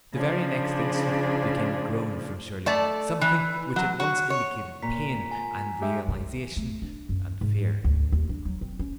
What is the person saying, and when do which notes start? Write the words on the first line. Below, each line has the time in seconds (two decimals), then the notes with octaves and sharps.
The very next instant there came a groan from Shirley, something which at once indicated pain and realization and fear.
0.13 C#3 F3 D4
2.66 A3 D5 A5
3.21 E3
3.76 F#3
4.00 F#4
4.30 C#5
4.82 A#2 A#5 B6
5.31 G#5
5.81 G#3 G4 E5
6.08 D#3
6.56 A3
6.82 D4
7.09 F#2
7.41 G#2
7.84 D2
8.12 D#2
8.29 D4
8.45 F#3
8.61 C4
8.79 C#4